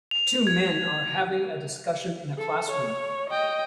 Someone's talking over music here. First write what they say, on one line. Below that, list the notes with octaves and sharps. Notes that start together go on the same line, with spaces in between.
Two men are having a discussion in a classroom.
F7
G#6
A4
C#5
D#5 G5